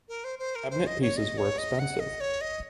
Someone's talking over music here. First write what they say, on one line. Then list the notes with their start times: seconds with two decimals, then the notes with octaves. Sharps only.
Cabinet pieces were expensive.
0.09 A#4
0.24 C5
0.39 C5
0.55 A#4
0.70 C5
0.86 D#5
1.02 C#5
1.17 D#5
1.38 C#5
1.58 D#5
1.79 F#5
2.00 D#5
2.20 C#5
2.41 D#5